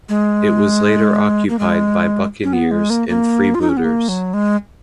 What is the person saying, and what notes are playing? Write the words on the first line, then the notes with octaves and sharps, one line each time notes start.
It was later occupied by buccaneers and freebooters.
G#3
A#3
G#3
C#4
B3
G#3
A#3
A#3
F4
D#4
C#4
B3
A#3
F#3
G#3